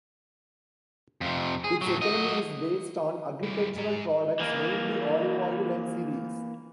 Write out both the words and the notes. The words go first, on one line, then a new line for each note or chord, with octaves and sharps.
Its economy is based on agricultural products, mainly olive oil and cereals.
F2 C3
G#4
A2 F#3
F#3 D#5
G2 E4
G#2 A#5
E3 A#3